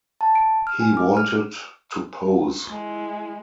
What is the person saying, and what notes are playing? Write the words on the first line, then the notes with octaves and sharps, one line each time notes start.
He wanted to pose.
A5
D7
F6
G#5
D6
F6
G#3 E4